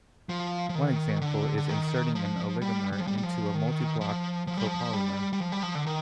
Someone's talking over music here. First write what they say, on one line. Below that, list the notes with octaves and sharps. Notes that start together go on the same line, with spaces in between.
One example is inserting an oligomer into a multiblock copolymer.
F3
F3
D#3
D3
D3
D#3
F3
G3
G3
F3
G3
G3
F3
D#3
F3
F3
G3
F3
G3
G3
F3
G3
F3
D3
D#3